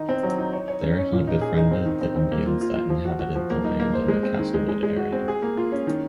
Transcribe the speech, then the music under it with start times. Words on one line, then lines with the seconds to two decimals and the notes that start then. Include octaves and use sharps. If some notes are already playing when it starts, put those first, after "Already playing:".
There he befriended the Indians that inhabited the land in the Castlewood area.
Already playing: D#3 D#4
0.09 C4
0.23 F#3
0.38 D#4
0.53 C#5
0.68 C#5
0.82 C#4
0.98 C#4
1.13 A#2
1.27 D#4
1.41 G#4
1.57 D#4
1.71 C4
1.86 D#3
2.01 C4
2.16 C4
2.32 A#3
2.46 F4
2.61 F4
2.76 F4
2.90 F3
3.05 F#4
3.19 F#4
3.35 F3
3.50 A#3
3.64 D#4
3.80 A#3
3.93 C5
4.08 G#3
4.23 C4
4.39 D#3
4.54 G#3
4.68 G#3
4.83 G#3
4.97 F#4
5.12 C4
5.28 G#4
5.42 A#3
5.57 F4
5.72 C#4
5.87 D#3